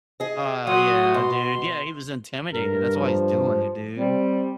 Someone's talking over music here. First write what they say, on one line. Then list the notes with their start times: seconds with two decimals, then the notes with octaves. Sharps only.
Oh, yeah, dude. Yeah, he was intimidated, that's why he's doing it, dude.
0.20 G#4 D#5
0.67 F#3 F#4 C6 D#6
1.14 B2 C6
2.53 G2 A#4
2.97 F3
3.98 G3 C4